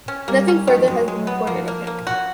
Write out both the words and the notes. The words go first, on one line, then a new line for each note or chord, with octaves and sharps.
Nothing further has been recorded of him.
C#4
G3 A#3
C#4
D#3 F#3
F3
F#3 G#3
G#3
B3
F3 A#3
A#3
A#3
F#4